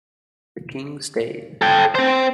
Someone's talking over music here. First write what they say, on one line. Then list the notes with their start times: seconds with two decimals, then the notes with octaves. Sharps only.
The King stayed.
1.62 A4 G5
1.95 C4 C5